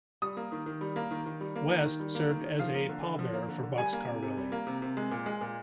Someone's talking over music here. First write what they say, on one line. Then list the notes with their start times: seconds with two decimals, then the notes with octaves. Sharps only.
West served as a pallbearer for Boxcar Willie.
0.22 G3 D#6
0.37 A#3
0.52 D#3
0.66 D#3
0.81 G3
0.96 A#3
1.11 D#3
1.26 D#3
1.41 G3
1.56 A#3
1.70 D#3
1.85 D#3
2.00 G3
2.15 A#3
2.30 D#3
2.44 D#3
2.59 F3 F5
2.74 A#3
2.89 D3
3.04 D3
3.19 F3
3.33 A#3
3.48 D3
3.63 D3
3.78 G3 G#5
3.93 A#3
4.07 C3
4.22 C3
4.37 G3
4.52 A#3
4.67 C3
4.82 C3
4.97 G#3
5.11 A#2
5.26 G#3
5.41 A#2